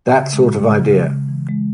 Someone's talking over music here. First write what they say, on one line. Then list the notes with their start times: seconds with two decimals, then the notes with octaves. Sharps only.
That sort of idea.
0.13 C#3
0.33 G#3
0.52 G#3
0.71 C#3
0.90 C#3
1.10 C#3
1.28 E3
1.49 G#3